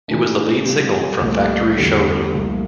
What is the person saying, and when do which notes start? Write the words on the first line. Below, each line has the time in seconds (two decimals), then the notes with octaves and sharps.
It was the lead single from "Factory Showroom".
0.08 C3 E3 A3 D4
0.65 C3 G3 C4 F4
1.21 C2 A#2 F3 A3
1.77 E2 D3 G3
2.34 C2 A#2 F3 A3